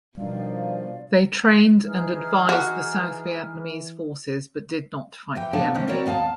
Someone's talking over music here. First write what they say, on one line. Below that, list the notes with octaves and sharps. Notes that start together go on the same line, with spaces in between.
They trained and advised the South Vietnamese forces but did not fight the enemy.
B2 D#3 F3 G3 D4 D5 F5
E3 D#4 G#4 F6
F#4
E2 E3 G5
A#3 D4 F4 G#4 C#5 F#5
C3 D#3 E3 C#4
C4 E4 F#4 A#4 C#5 D5
D#2 B3 F5 G#5 A5